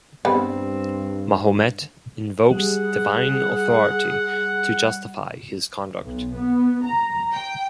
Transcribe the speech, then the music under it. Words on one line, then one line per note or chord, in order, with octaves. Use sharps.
Mahomet invokes divine authority to justify his conduct.
G2 G3 B3 C4
G3 G#4 F#5
B1
B3
A#5
G5